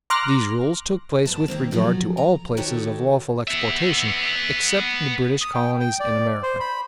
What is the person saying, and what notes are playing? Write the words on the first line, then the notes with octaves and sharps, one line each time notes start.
These rules took place with regard to all places of lawful exportation, except the British colonies in America.
A#5 C6 D6 F6 F#6 A#6
G2 B3 A5
D#3 A#3 C4
F3 F#3 F#4 A4
A#5
D#3 D#4 F#4 G4 A4 C#5
B3 E5
D#6
G5
G5
D5
C5
B5